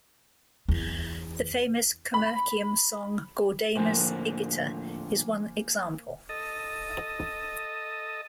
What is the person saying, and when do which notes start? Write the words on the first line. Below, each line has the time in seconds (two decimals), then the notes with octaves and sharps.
The famous commercium song "Gaudeamus igitur" is one example.
0.68 E2
2.14 B5
3.76 A2 D3 F3 A#3 C5 G#5
6.29 A4 D#5